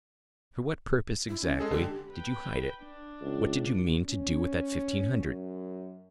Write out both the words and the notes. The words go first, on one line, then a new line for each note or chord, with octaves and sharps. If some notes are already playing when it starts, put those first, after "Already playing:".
For what purpose exactly did you hide it, what did you mean to do with that fifteen hundred?
E4
C#4
G#3 G#4 A4
D3 G4
B4 G5
D4
C#2
C#4
F#2